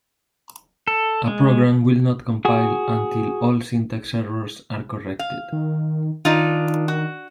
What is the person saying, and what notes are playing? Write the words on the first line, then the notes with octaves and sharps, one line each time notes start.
A program will not compile until all syntax errors are corrected.
A4
G#3
F#4 G#4
F5
D#3
D#3 D4 D#4 F4
F#4